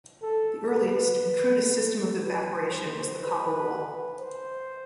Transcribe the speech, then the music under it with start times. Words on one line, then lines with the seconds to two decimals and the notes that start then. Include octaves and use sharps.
The earliest and crudest system of evaporation was the copper wall.
0.22 A4
0.71 B4
2.21 B4
2.71 C5
3.21 B4
4.20 C5